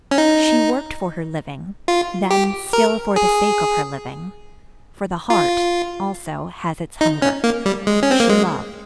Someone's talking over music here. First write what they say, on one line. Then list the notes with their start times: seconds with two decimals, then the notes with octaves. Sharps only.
She worked for her living; then, still for the sake of her living,--for the heart, also, has its hunger,--she loved.
0.11 C#4
0.18 D#4
1.88 F4
2.31 G4
2.73 A#4
3.16 G#4
5.30 F4
7.01 D#4
7.22 C#4
7.44 A#3
7.66 G3
7.87 G#3
8.03 C#4
8.11 C4
8.20 A#3
8.29 G#3